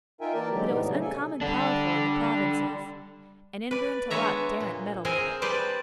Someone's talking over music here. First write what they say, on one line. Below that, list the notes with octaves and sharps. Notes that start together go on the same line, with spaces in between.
But it was uncommon powerful in the provinces, and Enver and Talaat daren't meddle with it.
D#4 F4 A#4 E5 G5 G#5
E3 A#3 A#4 D5 G5 A5
D3 F#3 G#3 G4
A2 C3 E3 G3 B3 D#4
C#3 F#3 G3 A3 D4
C3 A4 G#5
G3 D4 A4
B4 D5
G#3 B3 D4 C#5 E5 A#5
A#2
C4 G#4 A#4 C5 G#5
G3 B4 C5 D5 A5